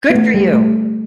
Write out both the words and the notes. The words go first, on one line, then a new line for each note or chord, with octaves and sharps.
Good for you.
B3
A3
G3
A3